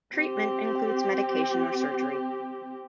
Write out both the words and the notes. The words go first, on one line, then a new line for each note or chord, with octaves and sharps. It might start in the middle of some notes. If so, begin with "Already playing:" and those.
Treatment includes medication or surgery.
C4 G4